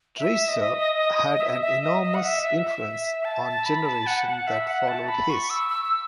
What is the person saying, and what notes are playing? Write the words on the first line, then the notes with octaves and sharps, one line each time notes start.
Dreiser had an enormous influence on the generation that followed his.
E5
D#5
E5
E5
D#5
D#5
F#5
E5
E5
E5
A5
A5
B5
A5
F#5
F#5
E5
F#5
A5
B5
C#6
E6
E6
E6